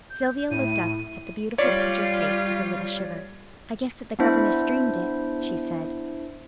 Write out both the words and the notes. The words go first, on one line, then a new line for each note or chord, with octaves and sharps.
Sylvia looked up at the beautiful pictured face with a little shiver. "I guess that the governess dreamed it," she said.
G6
A2 E4 D#7
G3 F4 C#5 D5
B3 D4 E4 C5 E5